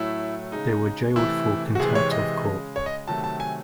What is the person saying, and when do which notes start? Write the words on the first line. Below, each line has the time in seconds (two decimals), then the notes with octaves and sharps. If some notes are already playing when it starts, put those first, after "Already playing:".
They were jailed for contempt of court.
Already playing: A2 F#3 A3 E4
0.52 C#3 G#3 D#4
1.16 C3 E3 A3 E4
1.75 F#4
1.80 C3 E3 G#3 G#4
1.95 C#5
2.12 D#5
2.44 C#3 G#3
2.76 C#5
2.86 D#5
3.08 C3 D#3 F#3 A3 A5
3.24 A5
3.40 G#5